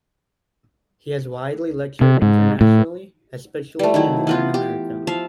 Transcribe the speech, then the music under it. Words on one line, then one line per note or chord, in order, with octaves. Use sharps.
He has widely lectured internationally, especially in Latin America.
C3
G#2
A2
G3 A3
D#3 F#3 E4
E3 B3 F4
G4
F3 E5 F5